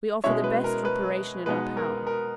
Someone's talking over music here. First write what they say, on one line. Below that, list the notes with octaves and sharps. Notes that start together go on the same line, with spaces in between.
We offer the best reparation in our power.
B2 G#3 C#4 E4 C#5 E5
B4
A#4
B4
B2 G#3 B3 D#4 B4
A#4
A#4